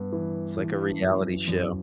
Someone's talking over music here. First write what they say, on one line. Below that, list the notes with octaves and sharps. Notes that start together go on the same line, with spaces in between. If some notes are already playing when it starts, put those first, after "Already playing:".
It's like a reality show,
Already playing: G2 B3
E3
E3
F#2
F#2